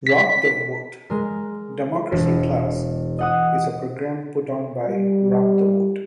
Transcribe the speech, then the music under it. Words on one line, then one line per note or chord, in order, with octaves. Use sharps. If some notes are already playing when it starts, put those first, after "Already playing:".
Rock the Vote: Democracy Class is a program put on by Rock the Vote.
B6
G#3 A#4
E1
D#5 F#5 D#6
G3